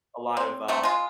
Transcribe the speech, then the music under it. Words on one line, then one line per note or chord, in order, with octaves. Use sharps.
a lot of uh,
C4
F#3 A3 C4
G#3 F4